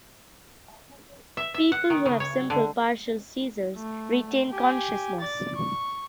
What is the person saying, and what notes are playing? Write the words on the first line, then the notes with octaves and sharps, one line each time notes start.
People who have simple partial seizures retain consciousness.
E5
E5
F#5
D#3
C#3
C#5
D3
A3
G4 G#5
D5 A6
C#6